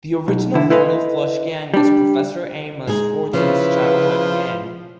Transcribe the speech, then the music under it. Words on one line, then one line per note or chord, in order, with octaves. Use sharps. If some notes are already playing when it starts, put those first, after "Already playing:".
The original Royal Flush Gang was Professor Amos Fortune's childhood gang.
B1
E2 D3 E4
E4 A4 B4 C5 D#5 F5
G3 D4
G#3 D#4 G#4
C#3 F3 E4 B4